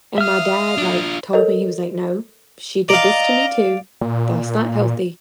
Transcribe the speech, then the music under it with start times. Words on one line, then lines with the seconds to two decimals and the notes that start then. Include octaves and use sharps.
And my dad, like, told me, he was like, "No, she did this to me too. That's not healthy."
0.18 E5 F5 D#6 F6
0.78 D4 F4
1.33 A4 A#4 C#5 D#5
2.89 D5 D#5 F5 A#5
4.01 A#2